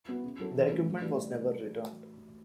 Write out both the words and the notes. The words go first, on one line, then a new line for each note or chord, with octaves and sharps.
The equipment was never returned.
B3 F#4 B4
C#3
F#3 C#4 F#4 A4
E3
A3 C#4 F#4 B4
A2
G3 D4 F#4 B4